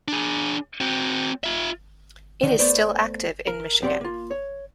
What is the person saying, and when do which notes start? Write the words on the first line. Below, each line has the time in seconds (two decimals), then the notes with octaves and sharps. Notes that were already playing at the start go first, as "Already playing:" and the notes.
It is still active in Michigan.
0.08 D4 G#4
0.80 C4 F#4
1.44 F4 E5
2.43 D3 D#3
2.59 A3 B3 C5 D5
3.47 A#4
3.82 F#2 C4 G4 D5 F#5 C6
4.01 A#3 F4
4.31 C#5